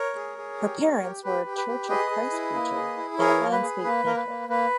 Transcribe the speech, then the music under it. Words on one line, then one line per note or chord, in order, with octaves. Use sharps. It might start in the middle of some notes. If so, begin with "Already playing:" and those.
Her parents were a Church of Christ preacher and a landscape painter.
Already playing: A#4 C#5
G#4
G#4
G4
G4
G4
G4 B4
G4
B4
G4
G#4 B4 D#5
G#4
E4
A#3
G#4
E4
G#4 A#4 C#5
A#3
B4
G#4
A#3 B4
A#3 A#4
B4
A#3
A#3 B4